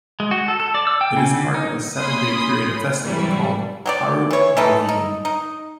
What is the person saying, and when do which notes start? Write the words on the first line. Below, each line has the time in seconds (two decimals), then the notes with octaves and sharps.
It is part of a seven-day period of festival called Haru no Higan.
0.20 G#3
0.31 F#4
0.48 A4
0.60 A4
0.74 D5
0.87 E6
1.01 G5
1.16 C#3
1.36 D3
1.54 D#4
1.97 A#3 C#4 B5 C6 D#6
3.03 C3 E3 F#3 G3 E4
3.86 F#3 G4 D5
4.31 E3 C#5
4.57 E3 A3 D#4 A4
4.89 D#4
5.25 D#4